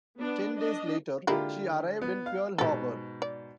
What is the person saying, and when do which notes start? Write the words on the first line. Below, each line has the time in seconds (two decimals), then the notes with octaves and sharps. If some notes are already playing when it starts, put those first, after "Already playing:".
Ten days later, she arrived in Pearl Harbor.
0.19 B3 D4
0.56 D4 D#5
1.27 D3 G#3 A#3 E4 F4 G4
2.01 B3
2.26 F5
2.58 G#2 B2 G4 A4
3.22 D5